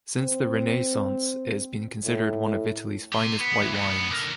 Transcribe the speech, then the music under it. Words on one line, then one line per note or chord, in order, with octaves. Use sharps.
Since the Renaissance, it has been considered one of Italy's finest white wines.
C4
A2
G4 C6
B3
E3
D2 B3
D3 A#4